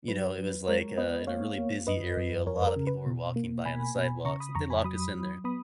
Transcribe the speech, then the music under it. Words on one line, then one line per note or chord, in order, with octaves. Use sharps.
you know, it was like, uh, in a really busy area, a lotta people were walking by on the sidewalks, they locked us in there,
F#3 B4
F#3
G#3 A#4 C#5
B3 B4 D#5
A#3 C#5 F5
A#3
F#2 B4 D#5
F#2
F2 A#4 C#5
B4
A#4
C#3
B4
B2
A#3
B2 G#5 B5
B2
C#3 A#5 C#6
B5 D#6
F2 A#5 C#6
G#5 B5
F#3 B5 D#6
F#3
B3 B5 D#6